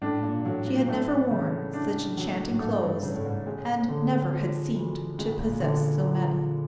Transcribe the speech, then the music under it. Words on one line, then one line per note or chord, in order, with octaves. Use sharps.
She had never worn such enchanting clothes and never had seemed to possess so many.
A2 D4
A#2
A2 F#3
A#2
A2 A3
C#3
D4
F#3
A2
G#2 A3
G2
G#2
G2 C#3
A2
G#2
A2 G#3
D3
F3
D2
A#2 G#3
A2
A#2
D3
F3